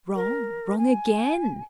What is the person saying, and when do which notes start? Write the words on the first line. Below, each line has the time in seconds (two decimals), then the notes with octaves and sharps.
'Wrong, wrong again.
0.16 A#4
0.78 G#5